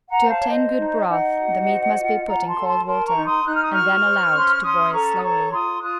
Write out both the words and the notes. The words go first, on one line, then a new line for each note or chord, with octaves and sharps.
To obtain good broth the meat must be put in cold water, and then allowed to boil slowly.
F#5 A#5
C5
F5 A5
C#5
C5 D#5
D#4
D#4 D#5 F#5
F#4
C5
F4
F4 F#5 A#5
A5 C6
A4
A5 C6
A#4 A5 C6
A#5 C#6
D#4
C6 D#6
D#4 F#6
F6
D#6
F#4 C#6 F6
C5
C#4 C6
C#6
C#4 C6 D#6
A4 A#5 C#6
D#6
C#5 A#5 C#6
F4 C6 D#6
F4 D#6 F#6